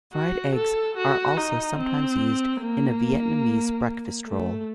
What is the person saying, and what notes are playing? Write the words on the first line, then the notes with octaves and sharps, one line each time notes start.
Fried eggs are also sometimes used in a Vietnamese breakfast roll.
F#4
A4
F#4
D#4
C4
A#3
A3